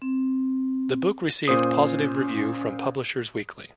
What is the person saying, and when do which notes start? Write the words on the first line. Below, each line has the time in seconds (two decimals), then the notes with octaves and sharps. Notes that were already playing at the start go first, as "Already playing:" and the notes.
The book received positive review from Publishers Weekly.
0.02 C4
1.48 A#2 C#4 C5 D#6